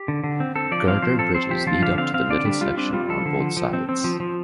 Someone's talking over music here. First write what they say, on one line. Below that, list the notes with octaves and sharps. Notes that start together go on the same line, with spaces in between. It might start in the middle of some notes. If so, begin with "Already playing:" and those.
Girder bridges lead up to the middle section on both sides.
Already playing: G4
D3
D3
C4
C4 A4
F3 D5
C4 F5
F3 C5
C4 A4
C4 C5
F3 G4
F3 F4
D3 F5
C4 F5
C4 F5
D3 D5
G3 D4
G3 F4
C4 D4
G3 F4
F3 A4
D3
F3
F3
C4
C4
F3
F3